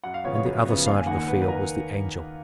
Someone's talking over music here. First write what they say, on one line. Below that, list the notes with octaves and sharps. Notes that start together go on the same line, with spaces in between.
On the other side of the field was the Angel.
F#2 F#5
F5
C#3 F3 B3 C#5
C#5
F#2
C#3 F3 B3
D#2 F5
G#5
D#3 A#3 F#5
F#5
D#2 B4
B4
D#3 A#3 A#4